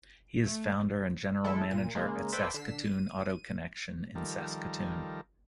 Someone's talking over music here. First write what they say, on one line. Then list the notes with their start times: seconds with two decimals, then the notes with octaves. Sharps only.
He is founder and General Manager at "Saskatoon Auto Connection" in Saskatoon.
0.43 A3
1.44 E3 G#3 E4 A4
1.70 A#2 D#7
1.95 C#3 G#3 A#3
2.32 A4 B4 C5 D5 E5 G5
2.51 D3 B6 C7 E7
2.85 D#7
4.15 D#3 F3 G3 A4 A#4